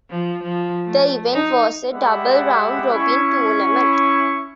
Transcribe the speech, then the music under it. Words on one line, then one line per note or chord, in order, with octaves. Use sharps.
The event was a double round-robin tournament.
F3
F3
A3
D#4
G#3 G4 D5 E5 F#5 B5
C#4 E4 C#6